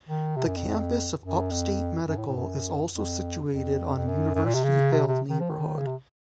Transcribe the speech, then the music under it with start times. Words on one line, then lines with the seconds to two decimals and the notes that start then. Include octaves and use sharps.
The campus of Upstate Medical is also situated on University Hill neighborhood.
0.09 D#3
0.36 C3
0.46 F#2
0.56 F2
1.22 F#2
1.51 F2
2.08 F#2
2.17 A2
2.27 A2
2.36 F#2
2.93 F2
3.50 F2
3.97 F2
4.07 F#2
4.35 F#2
4.45 A#2
4.54 C3
4.64 C#3
4.92 C3
5.07 C3
5.30 D#3
5.40 F3
5.50 D#3
5.78 C#3
5.87 C3